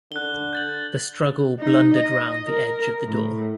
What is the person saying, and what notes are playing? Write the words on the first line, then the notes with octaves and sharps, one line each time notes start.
The struggle blundered round the edge of the door.
D3 F#6 G7
G6 A6 F#7
D#4
D#5
A#4
A2